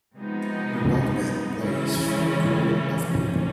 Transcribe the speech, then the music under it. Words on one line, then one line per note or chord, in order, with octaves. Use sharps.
A rock band plays for a crowd of people.
C3 F3 G#3 B3 D#4
C#3 E3 G#3 C#4 E4
F2 C3 F3 A#3 C#4